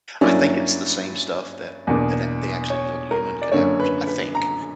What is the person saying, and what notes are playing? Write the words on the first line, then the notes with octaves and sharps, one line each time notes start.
I think it's the same stuff that tha that they actually use on human cadavers, I think.
G2 F#3 A#3 C#4 E4 D5
E2 B2 A#3 D4
C#5
A#4
D5
F#2 D3 A#3 C#5
B4
B4
A#5